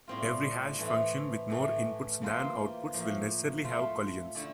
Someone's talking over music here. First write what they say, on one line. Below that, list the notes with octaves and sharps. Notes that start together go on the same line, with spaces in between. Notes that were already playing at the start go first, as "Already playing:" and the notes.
Every hash function with more inputs than outputs will necessarily have collisions.
A2 G3 C4 F4
A2 E3 A3 C4 E4
A2 E3 A3
E3 A#3 F4 C5
A2 F3 A#3
A3 C4 F4 C5
D3 A3 E4 A4 D5